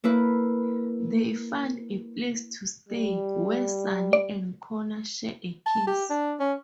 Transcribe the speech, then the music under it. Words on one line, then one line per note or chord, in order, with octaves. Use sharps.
They find a place to stay, where Sunny and Connor share a kiss.
A#3 E4 B4
G3
D5
A5
G4
D4
C#4